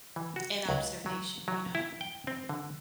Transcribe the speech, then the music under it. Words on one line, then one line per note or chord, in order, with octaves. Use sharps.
an observation, you know.
E3
F#4
C#2
F#3
F#3
E4
G5
C4
D3